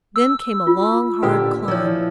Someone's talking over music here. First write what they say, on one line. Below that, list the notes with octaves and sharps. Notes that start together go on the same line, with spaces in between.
Then came a long, hard climb.
E6
F4
A#2 D3 G4 B4 D#5
E3 F3 C#5 D5